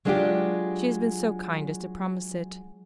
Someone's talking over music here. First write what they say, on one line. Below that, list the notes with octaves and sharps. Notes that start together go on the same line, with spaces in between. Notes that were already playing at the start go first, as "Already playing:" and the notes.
She has been so kind as to promise it.
F#3 G#3 B3 D4 F4 G4